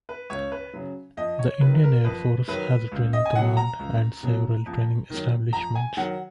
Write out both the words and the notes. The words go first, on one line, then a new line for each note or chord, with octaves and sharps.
The Indian Air Force has a Training Command and several training establishments.
B4
C#2 C#5
B4
C#3 F#3
F2 D#5
C#5
D#3 F#3 B4
B4
A#4
F2 B4
D#3 F#3 B4
C#2
D#5
G#5
B2 F#3 F#5
A#5
C#2
B2 F#3
F2
D#3 F#3
F2 A#5
G#5
D#3 F#3 F#5